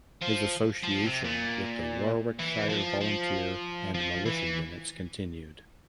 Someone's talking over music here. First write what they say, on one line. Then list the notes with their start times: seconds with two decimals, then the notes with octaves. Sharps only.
His association with the Warwickshire volunteer and militia units continued.
0.22 F3
0.83 F3
1.04 C3
1.25 A#2
2.39 E3
2.70 F3
3.01 F3
3.94 F3
4.26 E3